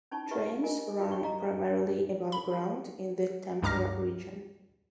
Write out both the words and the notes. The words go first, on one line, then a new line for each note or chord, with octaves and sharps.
Trains run primarily above ground in the Tampere region.
C#4 D#4 E4 A5 C#6
E4 G4 B4 E5 F#5 C#6
F4 A#4 D#5 G#5
F4 F#4 G5 B5
G5 C#6
D#5 F5 G5 A#5 C#6
B5
C#2 G2 A#5 D6 F6 A#6